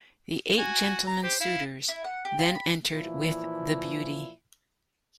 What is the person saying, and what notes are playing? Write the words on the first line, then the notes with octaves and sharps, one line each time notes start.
The eight gentleman suitors then enter with The Beauty.
F#4 G#5
A#5
G4 C5
E4 F5
E4
F#5
G4
F4
B5
A#2 E3 F3 E4